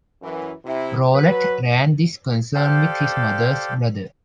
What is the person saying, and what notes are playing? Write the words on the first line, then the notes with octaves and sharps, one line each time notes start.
Rolette ran this concern with his mother's brother.
F#2 E3
C3 E4
F#3 B4
G4 A4 C5 D5 F5